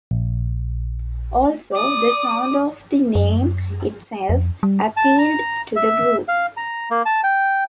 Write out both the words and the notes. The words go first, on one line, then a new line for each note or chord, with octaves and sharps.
Also, the sound of the name itself appealed to the group.
A#1
D5 D6 D#6
F#2
F2
G3
A5
A#5
E5
F5
A#5
A#3
A5
G5